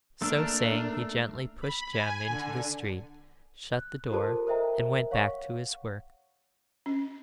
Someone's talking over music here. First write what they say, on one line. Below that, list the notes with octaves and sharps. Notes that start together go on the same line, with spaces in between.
So saying, he gently pushed Jem into the street, shut the door, and went back to his work.
A3 A#3 D4 A4 A#4
B5
G#5
D3
F#6
F4 G4 A4 A#4 C5 A5
A#4 C5 D#5 E5 G5 A#5
C#5 F5 F#5 C#6
C#4